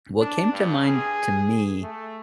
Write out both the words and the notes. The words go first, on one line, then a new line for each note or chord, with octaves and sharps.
what came to mind to me,
D4
G2
G#4
A3